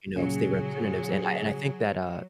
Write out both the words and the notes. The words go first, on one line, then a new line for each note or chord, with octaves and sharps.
you know, state representatives and I and I think that, uh,
A#2 C#3 F#3 G#4